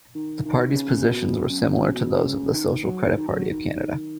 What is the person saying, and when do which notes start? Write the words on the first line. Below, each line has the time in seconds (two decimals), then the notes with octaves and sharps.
The party's positions were similar to those of the Social Credit Party of Canada.
0.15 D#3
0.45 D#3
0.75 C#3
1.04 B2
1.49 F#2
1.94 B2
2.24 C#3
2.54 D#3
2.84 F#3
3.06 D#3
3.17 D#3
3.28 F#3
3.50 D#3